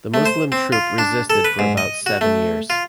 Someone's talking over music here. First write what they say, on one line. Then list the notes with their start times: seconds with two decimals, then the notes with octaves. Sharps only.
The Muslim troop resisted for about seven years.
0.14 A3
0.25 C5
0.52 C4
0.72 F4
0.98 D4
1.30 A4
1.45 B4
1.59 G#2
1.77 D#5
2.06 F#4
2.21 A3
2.70 F4